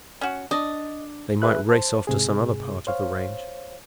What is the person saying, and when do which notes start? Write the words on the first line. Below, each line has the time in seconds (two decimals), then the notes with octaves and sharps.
They might race off to some other part of the range.
0.21 C#4 F#4
0.51 D4 D#5
1.42 G#4 B4 E5 F#6
1.69 C5 A5
2.07 G#2 C3 G#4
2.87 C5 C#5 F5